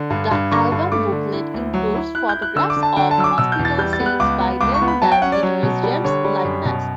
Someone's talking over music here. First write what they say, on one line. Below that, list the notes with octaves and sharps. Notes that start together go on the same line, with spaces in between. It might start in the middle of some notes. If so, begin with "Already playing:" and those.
The album booklet includes photographs of hospital scenes by then-bass guitarist James Likeness.
Already playing: D3
G2
G2
D3 C#6
G2
A3 D6
D3
E4
D2
F#3
E4
E4 F#6
G6
E4
F#6
D3 E6
D6
D3
A5
D3 G5
A5
F#3 E6
D6
B2 E6
G6
E2
A6
G3 G6
A6
B3
F#6
C#2 D6
B3
C#2 D6
C#6
B3
B5
F#3 A5
G5
C#4 F#5
D5
F#3
B2
G3
D3 C#5
G3
F#2
B2